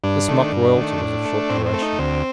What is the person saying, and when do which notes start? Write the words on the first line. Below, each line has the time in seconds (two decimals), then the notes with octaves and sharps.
This mock royalty was of short duration.
0.04 G2 D4
0.28 D#3 A3
0.52 G2
0.77 D#3 A3
1.01 A2
1.26 A3
1.49 A2 C4
1.66 C4
1.74 A3
1.82 D#4
1.99 D2 C4